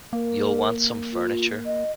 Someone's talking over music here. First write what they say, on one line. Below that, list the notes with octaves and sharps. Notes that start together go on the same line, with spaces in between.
You’ll want some furniture.
A#3 A#4
F4
D#5